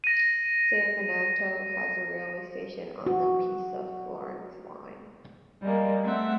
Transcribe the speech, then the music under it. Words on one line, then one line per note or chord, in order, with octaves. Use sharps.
San Miniato has a railway station on the Pisa-Florence line.
A#6 D#7
F#4
G3 G#3 A#3
A3 C4 E5 F#5